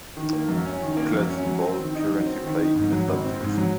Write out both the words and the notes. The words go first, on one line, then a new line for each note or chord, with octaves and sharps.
Clubs in Bold currently play in the top division.
D#3
A#3
F#2
C#4
D#3
A#3
F#2
C#4
F#3
C4
D#3
D#4
F#3
C4
D#3
D#4
G#2
F#3
G#1
C4
G#2
F#3